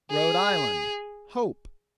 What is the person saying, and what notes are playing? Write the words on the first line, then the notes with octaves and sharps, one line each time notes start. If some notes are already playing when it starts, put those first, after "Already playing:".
Rhode Island--Hope.
G#4